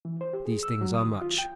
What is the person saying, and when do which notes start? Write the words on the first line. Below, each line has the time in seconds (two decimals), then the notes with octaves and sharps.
These things are much.
0.05 E3
0.21 C5
0.33 G4
0.46 G#4
0.63 E6
0.81 F#3
0.94 D#6
1.06 D#3
1.21 F4
1.38 G5